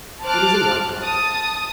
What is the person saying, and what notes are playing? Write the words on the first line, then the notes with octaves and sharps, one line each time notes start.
It is a white dog.
C5 A5 D6 F6 F#6
A5 D#6